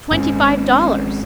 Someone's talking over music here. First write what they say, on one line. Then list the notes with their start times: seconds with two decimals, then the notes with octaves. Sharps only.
"Twenty-five dollars."
0.11 G#1 G#2 C#4